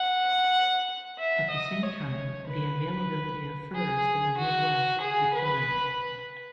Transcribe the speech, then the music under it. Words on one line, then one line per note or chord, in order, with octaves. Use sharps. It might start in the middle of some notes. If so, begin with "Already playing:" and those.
At the same time, the availability of furs in the Midwest declined.
Already playing: F#5
E5
D#5
C#5
B4
G#4
F#4
G#4
B4